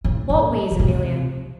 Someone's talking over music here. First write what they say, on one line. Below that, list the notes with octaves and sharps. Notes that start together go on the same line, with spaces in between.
"What ways, Amelia?"
A2
A2
A#2
C3
A#2
C3